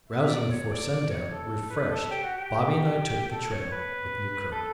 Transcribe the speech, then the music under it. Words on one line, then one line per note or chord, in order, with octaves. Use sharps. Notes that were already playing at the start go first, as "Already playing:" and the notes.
Rousing before sundown, refreshed, Bobby and I took the trail with new courage.
E5
D5
C#5
D5
D5
C#5
A4
B4
A4
G4
F#4
G4
A4
C#5
B4
A4